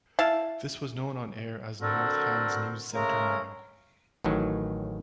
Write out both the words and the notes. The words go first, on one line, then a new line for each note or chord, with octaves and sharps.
This was known on-air as Northand's NewsCenter Now.
E4 F5 A5
D3 C4 F#4 A4 A#4
C#3 G#3 A3 A#4
A1 A2 D#3 F#3